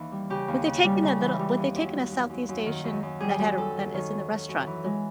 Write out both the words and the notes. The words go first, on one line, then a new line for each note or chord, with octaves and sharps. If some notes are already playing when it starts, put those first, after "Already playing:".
Would they take in a little would they take in a Southeast Asian that had a that is in the restaurant the
Already playing: D#2 E3 D#4
G3
C#3 G4
D#2
C#3
G3
C#3
E3
G3
D#2
F#2
F#2
F#2
F#2
F#2
D#3
F#2
F#2
G3 G#4
F#2
F#2 A4
D#3
D#3 C#5
F#2
D#3
F#2
E3
G#3